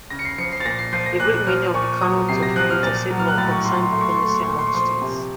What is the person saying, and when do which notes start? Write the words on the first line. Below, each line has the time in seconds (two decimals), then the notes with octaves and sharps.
A great many of the canons of interstate law concerned diplomacy among the states.
0.10 C#3 A#6
0.19 C#7
0.25 C7
0.38 F3 C#7
0.52 C7
0.60 A6
0.65 A#2 A#6
0.79 C7
0.93 F3 C7
1.06 A#6
1.20 A#2 F#6
1.34 F#6
1.47 F3 F6
1.74 A#2 C#6
2.01 F#3 D#6
2.29 C3 C7
2.43 A#6
2.56 F3 F#6
2.70 F6
2.83 A#2 A6
3.10 F#3
3.19 F6
3.28 F#6
3.37 A2 A6
3.51 C#6
3.65 F#3 C6
3.79 C6
3.92 A3 C6
4.01 C#6
4.09 C6
4.17 A3 C#6
4.26 C6
4.34 C#6
4.42 C6
4.47 A#2 C#6
4.59 C6
4.67 C#6
4.74 F3 C6
5.01 C3